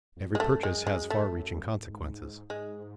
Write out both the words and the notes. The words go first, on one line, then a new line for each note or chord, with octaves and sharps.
Every purchase has far-reaching consequences.
F2
G#3
F#2 A3
G#3
G#3
A3
G#2
G#2 G#3